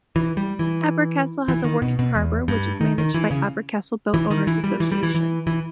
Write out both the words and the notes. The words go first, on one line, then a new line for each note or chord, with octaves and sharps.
Abercastle has a working harbour which is managed by Abercastle Boat Owners Association.
E3
G3
E3
E3
D#3
B2
B2
E2
G2
D#3
D#3
E3
C#3
E3
D#3
E3
G3
E3
G3
E3
E3
E3